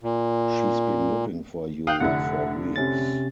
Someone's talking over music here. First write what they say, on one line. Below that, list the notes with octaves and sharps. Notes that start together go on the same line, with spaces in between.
She's been looking for you for weeks.
A#2
F5 G5 D#6 F#6 G6
F1 D3 E4 F#5
C3 C#4 A6